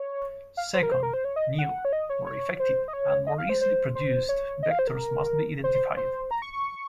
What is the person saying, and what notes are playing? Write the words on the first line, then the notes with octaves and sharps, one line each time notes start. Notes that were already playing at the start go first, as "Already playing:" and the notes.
Second, new, more effective, and more easily produced vectors must be identified.
Already playing: C#5
F5
C5
A#4
C5
A#4
C5
C#5
D#5
F#5
C#5
D#5
C#5
C#5
C5
D#5
C#5
D#5
F5
C5
C5
C5
C#5
D#5
F5
C5
A#4
C5
C5
C5
A#5
C#6
C#6